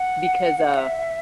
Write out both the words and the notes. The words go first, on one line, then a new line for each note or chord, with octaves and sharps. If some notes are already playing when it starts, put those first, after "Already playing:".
Because, uh
Already playing: F#5
E5